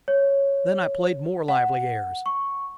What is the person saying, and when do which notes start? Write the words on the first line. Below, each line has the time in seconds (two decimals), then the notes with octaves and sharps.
Then I played more lively airs.
0.08 C#5
1.48 F#5
2.26 C#6